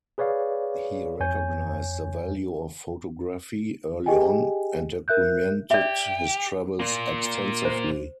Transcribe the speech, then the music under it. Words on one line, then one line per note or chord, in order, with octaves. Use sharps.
He recognized the value of photography early on, and documented his travels extensively.
G#4 B4 C#5 D5 F5
F2 C#5 G#5 G6
G4 G#4 D#5 G5 G#5
A#4 E5 F#6 G6
G4 D5 E5
A#2 A#3
C5